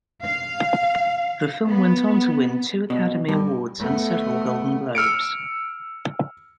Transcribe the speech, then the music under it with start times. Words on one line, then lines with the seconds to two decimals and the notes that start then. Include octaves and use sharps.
The film went on to win two Academy Awards and several Golden Globes.
0.24 F5
1.68 B3
2.90 B2
3.29 G2
3.79 A3 B3
4.95 E6 F6 C#7 D7